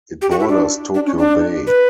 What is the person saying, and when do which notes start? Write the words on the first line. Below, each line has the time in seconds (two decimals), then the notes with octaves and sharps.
It borders Tokyo Bay.
0.22 G4
0.31 F#4
0.40 E4
0.49 D4
0.95 D4
1.07 C#4
1.18 D4
1.67 B4